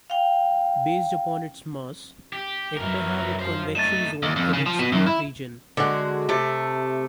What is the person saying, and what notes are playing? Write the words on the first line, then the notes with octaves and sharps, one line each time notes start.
Based upon its mass, it may have a convection zone in its core region.
F5 G5
G4
F#2 E3 A#4
C5 F5
A3 D#4 A6 D#7 E7
D#2
F2
C#3
F3
B2
F#2
E4
D3 G#3 F#4
C3 A3